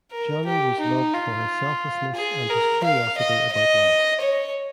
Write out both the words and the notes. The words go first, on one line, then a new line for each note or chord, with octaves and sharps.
Johnny was loved for his selflessness and his curiosity about life.
A#4
G4
D#4
F4
G#4
A#4
F5
D#5
D#5
C#5